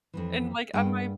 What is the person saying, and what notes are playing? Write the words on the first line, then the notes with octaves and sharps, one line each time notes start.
and, like, on my
F2 G#2 E3
G2 A#3 G#4 F#5 G5